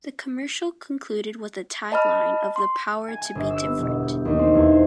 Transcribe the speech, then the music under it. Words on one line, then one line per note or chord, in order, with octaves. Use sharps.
The commercial concluded with a tagline of "the power to be different".
D#5 A5 B5 F6
C6
G#5
G#5
G1
E6
B3
E1
G6
D#2
C4
E2
C5